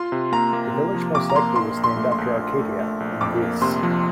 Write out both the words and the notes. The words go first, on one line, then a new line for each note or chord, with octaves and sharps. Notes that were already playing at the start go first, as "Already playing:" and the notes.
The village most likely was named after Arcadia, in Greece.
Already playing: F4 C6
C3
A#3 A#5
A#3
C3
F3
C3 D6
A#5
A#3 C6
A#1 C6
A#1
C6
A3
C6
A#1
A#1
A3
A3
A#1
F2 D6
A#3
C3 C6
F3